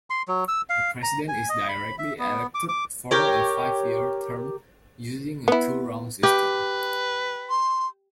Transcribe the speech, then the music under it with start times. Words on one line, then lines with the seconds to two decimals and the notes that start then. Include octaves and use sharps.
The President is directly elected for a five-year term using a two-round system.
0.10 C6
0.28 F#3
0.48 E6
0.69 F5
1.03 A#5
1.28 G#5
1.49 D#5
1.69 B5
1.98 E5
2.19 B3
2.54 D6
2.69 D6
3.11 G4 A#4 C#5
5.48 B3 E4
6.23 G4 B4
7.50 C6